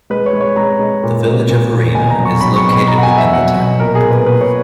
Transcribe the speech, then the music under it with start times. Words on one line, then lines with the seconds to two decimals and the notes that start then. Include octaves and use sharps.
The Village of Arena is located within the town.
0.10 G#3 B4
0.26 C#5
0.33 G#3
0.41 C#5
0.56 G#3 A#5
0.79 G#3
1.03 A#2
1.25 G#3
1.50 A#2
1.73 A#2
1.95 B2 G#5
2.10 A#5
2.18 F#3
2.25 C#6
2.41 F#3 B5
2.56 C#6
2.64 B2
2.73 B5
2.87 B2 A#5
2.98 F#5
3.03 G#5
3.10 B2
3.18 E5
3.33 F#3 F#5
3.56 B2
3.79 A#2 A#4
3.95 G#4
4.03 A#2
4.11 B4
4.26 A#2 B4
4.41 C#5